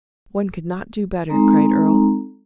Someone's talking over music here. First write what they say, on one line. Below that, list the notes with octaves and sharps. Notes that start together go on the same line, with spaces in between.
"One could not do better," cried Earle.
G#3 C4 D#4 A4 A#5